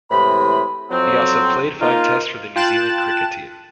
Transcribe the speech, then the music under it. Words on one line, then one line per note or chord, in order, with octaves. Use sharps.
He also played five Tests for the New Zealand cricket team.
A2 C3 E3 G#3 B5
F2 F#3 C4
A#3 D#4 F4
F4 G5 A5 F#6 A6 E7